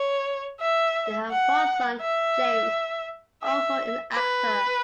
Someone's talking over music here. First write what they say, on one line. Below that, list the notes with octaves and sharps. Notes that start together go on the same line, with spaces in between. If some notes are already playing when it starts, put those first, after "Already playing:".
They have one son, James, also an actor.
Already playing: C#5
E5
F#5
E5
E5
B4